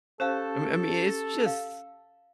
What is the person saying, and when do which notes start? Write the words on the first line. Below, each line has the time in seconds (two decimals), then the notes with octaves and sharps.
I me I mean, it's just
0.20 C#4 G4 A4 C5 F5 A5
1.46 F5